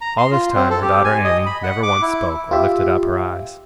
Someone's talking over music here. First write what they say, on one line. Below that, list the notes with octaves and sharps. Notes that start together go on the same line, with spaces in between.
All this time, her daughter Annie never once spoke, or lifted up her eyes.
A#5
C6
F4
C4
A4
G4
G#5
D#5
B5
F#5
D6
E4
F4 G4 E5